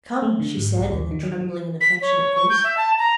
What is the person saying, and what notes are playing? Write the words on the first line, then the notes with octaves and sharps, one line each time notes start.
"Come!" she said, in a trembling and affectionate voice.
A3
D3
G#2
B1
D#2
D#3
F#3
F3
B6
C#5
C#6
G6
E5
A5
A#5